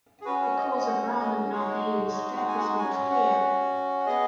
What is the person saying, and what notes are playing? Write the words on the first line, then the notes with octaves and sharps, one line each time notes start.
The cause of Rahmon Nabiev's death is not clear.
G#4
C#4 F#4 B4
D#5
D#5
F#5
D#5
G#3 D#4 F#4 C#5
C#5
D#5
F#5
G#5
F#5
C#4 F#4 G#5
F#5
F#5
B3 G#4 D#5